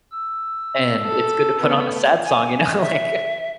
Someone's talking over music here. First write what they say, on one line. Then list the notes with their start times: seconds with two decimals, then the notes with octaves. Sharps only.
And it's good to put on a sad song, you know? Like
0.12 E6
1.03 A4
1.60 A3 B3
2.25 G#5
2.80 E5